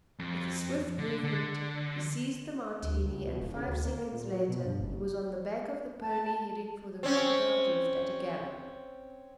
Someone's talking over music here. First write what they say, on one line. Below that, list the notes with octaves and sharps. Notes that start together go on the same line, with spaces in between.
With a swift movement, he seized the Martini and five seconds later he was on the back of the pony, heading for the Crocodile Drift at a gallop.
F2
D3
D3
D2
C#2
B2
E1
C#3
D2
A#3
A#2
F#3
B2
G2
F#1
A5
C4 C#4